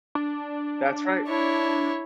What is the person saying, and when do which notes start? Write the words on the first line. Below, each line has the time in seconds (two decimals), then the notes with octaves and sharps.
That's right.
0.15 D4
1.27 E4 C#5